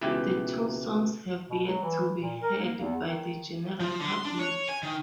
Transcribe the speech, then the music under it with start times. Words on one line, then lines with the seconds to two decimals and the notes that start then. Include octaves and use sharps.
The two songs have yet to be heard by the general public.
0.01 C#2 B2 E3 E4 G4
1.50 B2
1.66 F#3
1.83 E3
2.21 A#2
2.42 A#4
2.63 A#3
2.81 E2
3.01 D#3
3.80 F3
4.00 D3
4.13 C6
4.25 D4
4.39 C#5
4.69 G#5
4.83 D#3